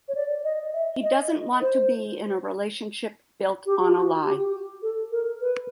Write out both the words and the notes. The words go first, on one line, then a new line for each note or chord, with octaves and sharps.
He doesn't want to be in a relationship built on a lie.
C#5
D5
D#5
E5
D#5
C5
G4
F4
F#4
G4
A4
A#4
B4